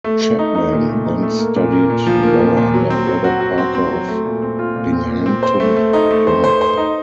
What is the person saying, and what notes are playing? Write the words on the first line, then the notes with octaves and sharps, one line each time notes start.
Chapman then studied law under Robert Parker of Binghamton, New York.
A3
A3
D#4
D#4
A#2
A3
D#4
A3
A#3
A#2
A#3
A#2
F3
A#3
A#2
A#2
F#3
C4
F#3
F#4
F#4
C4
C4
F#3
A3
A#2
C4
F4
A#2
C4
A#2
C4
C5
A3
A3
D#4
A3
C5
C5
C5
D#4